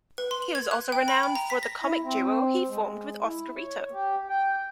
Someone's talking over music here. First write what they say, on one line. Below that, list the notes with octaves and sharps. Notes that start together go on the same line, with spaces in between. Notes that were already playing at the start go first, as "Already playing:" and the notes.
He was also renowned for the comic duo he formed with Oscarito.
B4
C6
F#7
G#6
F#6
G5
B5
G5
A#5
B6
A#6
E4
C4
G#3
E4
C#5
G4
G5